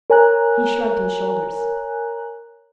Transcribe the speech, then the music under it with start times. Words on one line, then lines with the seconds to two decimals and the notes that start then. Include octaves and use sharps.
He shrugged his shoulders.
0.10 A#4 C#5 G#5 A#5 F#6